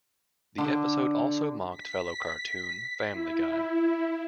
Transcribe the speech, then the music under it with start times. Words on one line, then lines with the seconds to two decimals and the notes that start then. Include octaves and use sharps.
The episode also mocked fellow cartoon "Family Guy".
0.58 D3
1.70 B6
3.11 E4